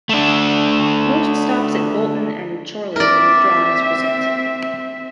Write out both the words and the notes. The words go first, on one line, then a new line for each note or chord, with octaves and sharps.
Most stops at Bolton and Chorley were withdrawn as a result.
A3 D4
C4 A#4 D5 E5